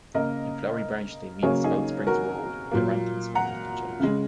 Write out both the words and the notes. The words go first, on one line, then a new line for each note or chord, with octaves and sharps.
In Flowery Branch they meet Spout Springs Road at the Rankin Smith Interchange.
C#3 A#3 A#4 D#5
C#3 F#3 A#3 G#4 C#5
D#4 G#4
F#4 A#4
A#2 F#3 A#3
F#5 A#5
C#3 G#3